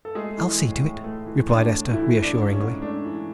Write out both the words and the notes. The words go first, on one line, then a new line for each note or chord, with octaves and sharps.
"I'll see to it," replied Esther reassuringly.
A4
G#3 A3 G#4
E3
A2
A2
A3
E3
A2 D4
A2
E3 A3 E4
E3
D4
G#2
C#4
G#2
A3 D4
E3